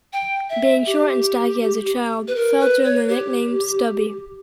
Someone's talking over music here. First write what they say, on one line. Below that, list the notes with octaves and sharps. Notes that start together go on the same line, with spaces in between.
Being short and stocky as a child, Fouts earned the nickname "stubby".
G5
E5
G4
B4
A#4
B4
C#5
G4